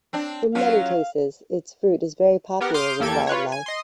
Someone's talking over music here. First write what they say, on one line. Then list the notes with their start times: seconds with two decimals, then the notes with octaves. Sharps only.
In many cases its fruit is very popular with wildlife.
0.13 C4 D4
0.55 F#3 C#4 F4 F5
2.60 B3 G4 A#4 F#5
2.74 C6 D6 D#6 F6 G6
3.00 E2 A#3 G4 A4 G#6 D7
3.27 F4 B4 C#5
3.52 G#5
3.66 D#5 C6